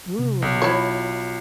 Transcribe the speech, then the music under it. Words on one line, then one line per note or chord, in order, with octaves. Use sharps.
Ooh, yea
C3
B1
E4 F4 C#5